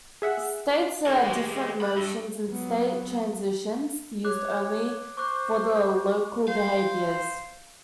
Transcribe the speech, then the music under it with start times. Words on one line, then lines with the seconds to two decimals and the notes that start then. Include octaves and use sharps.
States are the different motions and state transitions used only for the local behaviors.
0.22 G#4 E5 F#5
1.06 D3 A#3 G#4
1.24 E3 G#3 F#4 G4 C5
1.41 G4
1.81 B4 D5 B5
1.96 G2 E5
2.49 F#3 B3
4.25 C#5 D6 F#6
5.17 C5 C#6 D6 F#6
6.48 C5 F5